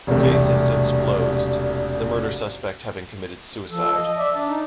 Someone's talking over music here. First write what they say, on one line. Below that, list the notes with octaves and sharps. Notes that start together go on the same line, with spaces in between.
The case has since closed, the murder suspect having committed suicide.
E1 C2 C3 A3
F3 A4
D#5
D5 E5
D4 A5
D#4